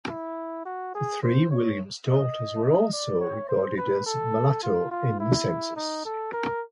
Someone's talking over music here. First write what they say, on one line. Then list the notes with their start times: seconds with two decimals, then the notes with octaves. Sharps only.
The three Williams daughters were also recorded as Mulatto in the Census.
0.09 E4
0.65 F#4
0.95 G#4
1.23 C5
1.51 C#5
2.07 D#5
2.64 D#5
2.93 D5
3.21 C#5
3.49 C5
3.78 B4
4.06 A4
4.63 F4
4.91 F4
5.20 E4
5.76 D#4
6.05 A4
6.33 A#4